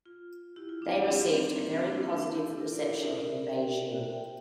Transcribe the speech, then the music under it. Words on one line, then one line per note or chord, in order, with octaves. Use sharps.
They received a very positive reception in Beijing.
F4
E4 G4
F4
D4
E4
C4
D4
C4
A#3
D4
E4
F4
E4
D4
E4
E4 G4
F4 A4
G4 A#4
A#4 D5
A#4 D5
C5 E5
A#4 D5
C5 E5
E5 G5
E5 G5
G5